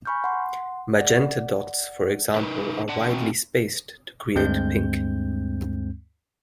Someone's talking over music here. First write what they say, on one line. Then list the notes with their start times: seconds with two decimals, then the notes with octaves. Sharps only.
Magenta dots, for example, are widely spaced to create pink.
0.05 G#5 B5 C#6 F6 G6
0.24 F#5 C6
0.97 D5 F#5
2.35 D#4 A#4 B4
2.89 D4 F#5
3.10 C4 F#4
4.35 D2 G2 G#3 C4 G6